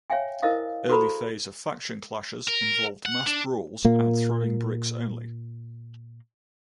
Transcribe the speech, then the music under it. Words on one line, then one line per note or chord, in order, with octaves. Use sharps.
Early phase of faction clashes involved mass brawls and throwing bricks only.
C#5 E5 F5 G5 G#5
E4 A#4 C5 D#5 F5 D#6
F#4 G#4 A4 C5 A#5 B5
A#4
F#5
D4
A#2 A#3